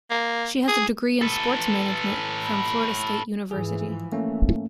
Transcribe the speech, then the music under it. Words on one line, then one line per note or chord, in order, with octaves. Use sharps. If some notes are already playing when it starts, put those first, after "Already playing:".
She has a degree in sports management from Florida State University.
A#3
G#4
A4 B4
G#2 E3 F3 G#4
A3 A#3 C#4